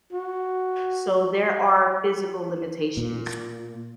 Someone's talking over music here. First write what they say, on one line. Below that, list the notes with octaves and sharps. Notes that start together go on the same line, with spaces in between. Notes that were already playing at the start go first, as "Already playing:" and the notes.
so, there are physical limitations
F#4
A#2